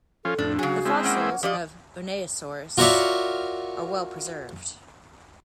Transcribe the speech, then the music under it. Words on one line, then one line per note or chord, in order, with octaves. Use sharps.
The fossils of "Unaysaurus" are well preserved.
F3 C#4 F4 A4
F2 A2 D4
C#3 F#3 F#4 G#4
G#3 C4 E4
A#3 C#4 F#5
F3 G4 D5 D#5
F4 F#4 A#4 C#5 D5 E5